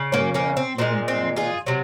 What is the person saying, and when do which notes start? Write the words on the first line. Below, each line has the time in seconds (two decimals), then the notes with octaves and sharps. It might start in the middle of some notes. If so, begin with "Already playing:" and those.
Oh, yeah, even Oh, yeah.
Already playing: C#3
0.12 A#3 C#4
0.34 A#3 C#4
0.57 C4
0.78 A#2 G#3 C4
1.08 C4
1.36 F4 G#4
1.66 C3 F#3